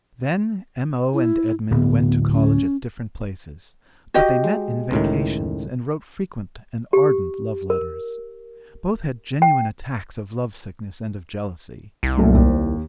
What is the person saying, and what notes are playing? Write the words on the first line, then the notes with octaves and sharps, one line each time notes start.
Then M.O. and Edmund went to college at different places, but they met in vacations and wrote frequent and ardent love-letters. Both had genuine attacks of love-sickness and of jealousy.
E4
D1 B3
C#4
F#4 G4 D#5
G#3
C#2 A2 D#3
G4
A#4
G5
C2
F#2 A#2 A3
D#2